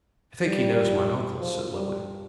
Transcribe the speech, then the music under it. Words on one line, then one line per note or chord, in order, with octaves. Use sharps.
"I think he knows my uncle," said Lily.
G3
F3
G3